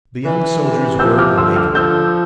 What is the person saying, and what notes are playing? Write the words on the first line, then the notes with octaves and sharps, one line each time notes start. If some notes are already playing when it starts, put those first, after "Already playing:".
The young soldiers were awakened.
E3
C3
F3 E6 G6
D6 F6
D3 C6 E6
D6 F6
F3 E6 G6